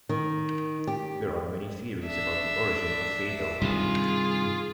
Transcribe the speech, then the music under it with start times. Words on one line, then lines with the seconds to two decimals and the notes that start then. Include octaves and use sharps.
There are many theories about the origin of fado.
0.09 D#3
0.88 G4
2.05 D4 E5
3.61 G2 C3 D#3 F4 G#4